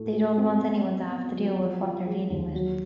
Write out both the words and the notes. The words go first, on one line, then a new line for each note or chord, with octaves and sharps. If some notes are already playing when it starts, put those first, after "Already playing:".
They don't want anyone to have to deal with what they're dealing with.
Already playing: A2 A3
A3
C4
B3
B3
B3
F#3
F3
F3
G#3
D#2
F#3